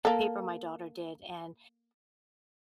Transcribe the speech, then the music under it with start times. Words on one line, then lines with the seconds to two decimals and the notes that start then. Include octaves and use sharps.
paper my daughter did, and
0.05 A#3 A4